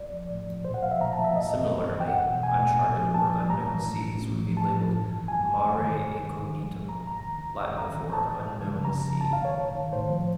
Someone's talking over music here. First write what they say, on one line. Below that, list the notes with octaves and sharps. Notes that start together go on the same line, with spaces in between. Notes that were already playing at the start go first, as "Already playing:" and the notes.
Similarly, uncharted or unknown seas would be labeled mare incognitum, Latin for "unknown sea".
Already playing: D5
F3
A2
F3
A#2 C5
F#5
F3 F5
E5
A#2 A#5
A5
F3
E5
G2 D#5
E3
G2
E3
G5
E2 F#5
B2
E2 G#5
B2
A#2
F3
A#2 A5
F3
A2 A#5
E3
A2
E3
A2
F3
A2 A5
F3
G2
E3
G2 G#5
E3
G2
D#3
G2
D#3
G#2
F3
G#2
F3 A#5
F#2 A#5
D#3
F#2
D#3
A2 A#5
E3
A2 A5
E3
F#2
C#3 F3
F#2 A#5
C#3 F3
G#2 A5
F5
D#3
C#5
G#2
D#3
A2 C5
F3